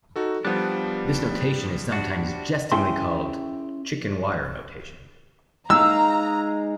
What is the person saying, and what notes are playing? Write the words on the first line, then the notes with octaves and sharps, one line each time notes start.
This notation is sometimes jestingly called "chicken wire notation".
D#4 F#4 A4
F3 G3 B3 D4
D4 F#4
C#4 E4 G#4 E5 G5 C6
G#3 D#4 F5 A#5 E6